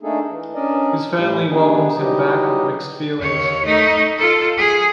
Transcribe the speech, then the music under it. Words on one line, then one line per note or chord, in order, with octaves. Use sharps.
His family welcomes him back with mixed feelings.
A3 A#3 D4 D#4 G#4 A4
E3
C#4 D4 A#4 D5 D#5
A2 G3
C3 D#3 B3 D4 D#4 G#4
E3 F#3 G3 D#4 G4 D#5
D#2 C#5
A3 D#4
F4 A4
G#4